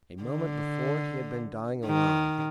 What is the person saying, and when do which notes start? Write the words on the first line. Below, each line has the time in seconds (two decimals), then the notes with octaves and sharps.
A moment before he had been dying alone.
0.23 D3
1.85 D#3